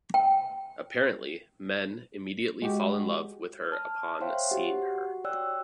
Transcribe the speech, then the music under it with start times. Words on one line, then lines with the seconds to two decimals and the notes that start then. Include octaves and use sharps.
Apparently, men immediately fall in love with her upon seeing her.
0.14 G5
2.62 G#3 F#4 G4
3.72 A5 F6
4.21 C5 C#5 E5 F5 G5 C6
4.50 F#4 G4 F#5
5.24 F#4 C#5 D5 G5 E6 F#6